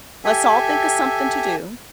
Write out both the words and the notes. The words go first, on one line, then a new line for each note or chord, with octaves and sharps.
let's all think of something to do,
G4 A4 E5 G#5